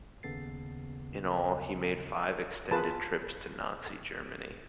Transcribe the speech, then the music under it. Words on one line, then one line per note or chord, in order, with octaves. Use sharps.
In all he made five extended trips to Nazi Germany.
D#2 C#3 B3 A4 A6 C7
F4 G#4 A#4 B4 A5